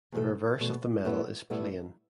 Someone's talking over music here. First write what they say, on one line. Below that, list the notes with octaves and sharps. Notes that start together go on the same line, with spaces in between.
The reverse of the medal is plain.
E2 B2 A3
E2 B2 A3
A2 G3 B3 E4
A2 G3 B3 E4